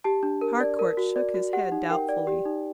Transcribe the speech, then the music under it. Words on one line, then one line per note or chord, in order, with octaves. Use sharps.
Harcourt shook his head doubtfully.
G4 A5
D4
A#4
D5
A#4
F#4
D5
F#4
G4 F#5
D#4
A#4 G5
D5
G4
D#4